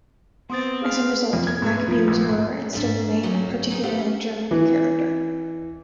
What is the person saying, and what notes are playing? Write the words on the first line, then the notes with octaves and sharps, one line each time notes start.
As a result, Mack beers were, and still remain, particularly German in character.
B3 C4 C6 D#6 A6
G#4 F5
F2
G#6
G#2
B3
F3
A#1
G#2
G#2 D4 E5
F#3 A#3 C#4 D#4 F#4
D#4 F#4 G#4
G4 A4 B4 C5 F5 F#5
C#4
E3